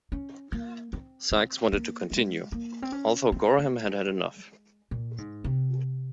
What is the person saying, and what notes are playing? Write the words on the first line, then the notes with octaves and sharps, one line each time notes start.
Sykes wanted to continue, although Gorham had had enough.
C#4
A#3
C4
C4
A#3
G#3
A#3
C4
C#4
C4
A#3
G#3
A#2
G#2
C3